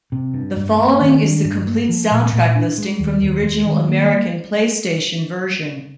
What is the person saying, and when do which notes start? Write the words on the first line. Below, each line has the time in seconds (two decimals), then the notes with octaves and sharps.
The following is the complete soundtrack listing from the original American PlayStation version.
0.12 C3
0.34 G2
0.56 G2
0.78 A#3
1.01 D#3
1.22 D4
1.44 G2
1.66 A#3
1.89 F3
2.11 A#2
2.33 A#2
2.55 D4
2.78 G#3
2.99 D#2
3.21 D#2
3.44 G#3
3.66 D#3
3.88 A#3